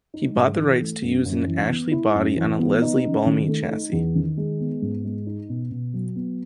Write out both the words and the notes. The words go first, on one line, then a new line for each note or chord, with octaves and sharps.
He bought the rights to use an Ashley body on a Leslie Ballamy chassis.
D#4
G#2
E3
A3
F#2
F#2
E3
B3
E4
F#2
E3
B3
D#4
C#3
D#3
A3
D#4
E2
D#3
G#3
B3
G#2
G#3
D#4
B2
B2
F#3
B3